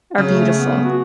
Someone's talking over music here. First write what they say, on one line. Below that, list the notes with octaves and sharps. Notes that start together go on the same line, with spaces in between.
are beautiful.
C#3 F#3
A3
B3
F#4